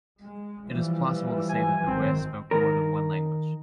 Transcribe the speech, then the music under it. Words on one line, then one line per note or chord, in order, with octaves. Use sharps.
It is plausible to say that the Yue spoke more than one language.
G#3
E3 F3 G3
G#5
G#1 D#3 C4
D#3 A#4